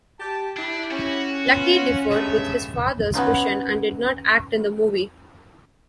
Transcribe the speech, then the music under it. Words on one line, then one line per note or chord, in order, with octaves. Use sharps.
Lucky differed with his father's vision and did not act in the movie.
G4 A5
D4 E4 G4
C#4 F#4
B3 F4
G2 G#3 A3 B3 C#4 E5
B3 C#4 D#4 F4